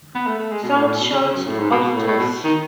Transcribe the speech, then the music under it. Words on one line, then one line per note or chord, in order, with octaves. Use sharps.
Snout short., obtuse.
B3
A3
A3
G#3
B2
A2
A2
B2
C#3
C#3
F#2
A2
G#2
B2
B2
A2
A2
B2
D#3